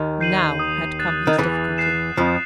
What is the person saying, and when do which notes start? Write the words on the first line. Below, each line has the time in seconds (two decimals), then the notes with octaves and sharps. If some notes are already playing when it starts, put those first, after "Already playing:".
Now had come his difficulty.
Already playing: D#2 D#3
0.21 G6 C7 D#7 F#7
0.59 D#6
0.99 F#6 A6 C7 E7
1.27 D#3
1.39 E2 E3 D#6
1.78 F#6 A6 C7 E7
2.17 F2 F3 D#6